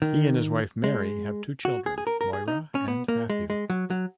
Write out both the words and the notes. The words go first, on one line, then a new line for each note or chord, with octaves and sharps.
He and his wife, Mary, have two children, Moira and Matthew.
D#3
G#3
F#4
G#4
G#4
A#4
A#4
G#4
D#4
C#4
B3
A#3
G#3
G#3
F#3
F#3